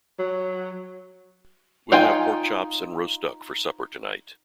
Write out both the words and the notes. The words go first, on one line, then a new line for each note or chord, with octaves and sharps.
We’ll have pork-chops and roast duck for supper to-night.
F#3
D#4 F4 G5 G#5